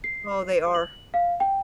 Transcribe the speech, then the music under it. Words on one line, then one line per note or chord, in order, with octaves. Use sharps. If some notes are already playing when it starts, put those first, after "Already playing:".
Oh, they are.
C7
F#7
F5
G5